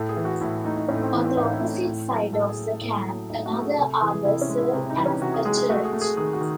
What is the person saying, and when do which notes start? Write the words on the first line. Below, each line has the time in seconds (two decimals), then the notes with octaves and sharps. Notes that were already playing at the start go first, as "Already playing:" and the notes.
On the opposite side of the camp, another arbor served as a church.
Already playing: A2 A4
0.09 G#4
0.17 E3
0.25 F#4
0.41 A2 E4
0.64 A3 D#4
0.77 D#4
0.89 A2 C#4
0.95 A3
1.02 C4
1.14 E3
1.25 C4
1.37 A2 D#4
1.53 E4
1.61 A3
1.85 A2
2.09 F#3
2.33 A2 A4
2.49 G#4
2.57 A3
2.81 A2
3.05 F#3
3.29 A2 D#4
3.46 F#4
3.53 A3
3.61 G#4
3.78 C3 A4
3.93 A4
4.02 E3
4.10 G#4
4.25 C3 E4
4.41 C#4
4.49 G#3
4.58 E4
4.73 C3 E4
4.90 D#4
4.97 E3
5.06 C#4
5.21 C3 F#4
5.34 G#4
5.45 G#3 G#4
5.57 G#4
5.70 A3 F#4
5.85 G#4
5.93 A3
6.01 G#4
6.17 D#3 G#4
6.33 F#4
6.41 D#3